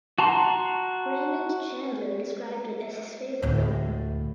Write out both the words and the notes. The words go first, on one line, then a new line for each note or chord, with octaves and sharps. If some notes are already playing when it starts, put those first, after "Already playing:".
Raymond Chandler described it as his favourite novel.
F#4 A5 A#5 C6
D2 A2